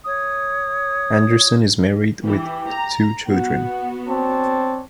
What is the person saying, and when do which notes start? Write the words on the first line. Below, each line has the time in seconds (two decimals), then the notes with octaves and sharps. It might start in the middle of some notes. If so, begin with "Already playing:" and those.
Andersson is married with two children.
0.04 C#5 D#6
2.25 E3 G4
2.70 A#5
3.27 B3 F#4 F#5
4.09 C4 D4 C#5 A5